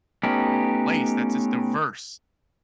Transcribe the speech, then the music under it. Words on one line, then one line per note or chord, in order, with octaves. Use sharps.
place that's just diverse
A3 B3 C#4 D#4 G4